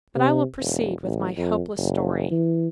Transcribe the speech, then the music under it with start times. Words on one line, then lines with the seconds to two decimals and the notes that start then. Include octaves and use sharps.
But I will proceed with my hopeless story.
0.16 C3
0.60 E1
1.02 A1
1.36 F2
1.77 F#1
2.31 E3